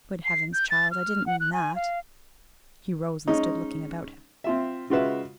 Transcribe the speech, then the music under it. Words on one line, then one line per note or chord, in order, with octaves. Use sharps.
"Good heavens, child, I didn't mean that!" He rose and stood looking about him.
C7
G6
A6
F6
F#5
F#6
G#5
F5
G#3 C#4 D#4
C4 F4 E5
C#3 G#3 F4 F#4 B4 E5